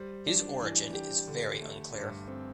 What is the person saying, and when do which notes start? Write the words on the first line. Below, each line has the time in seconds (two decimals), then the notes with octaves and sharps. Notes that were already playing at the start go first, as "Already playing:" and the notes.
His origin is very unclear.
Already playing: G3 C5
0.27 D4
0.61 E3
0.94 G4
1.27 D3
1.61 A3
1.95 G2
2.28 C4